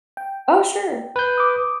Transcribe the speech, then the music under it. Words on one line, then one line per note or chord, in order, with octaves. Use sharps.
Oh, sure.
G5
B4 G6
D6 D#6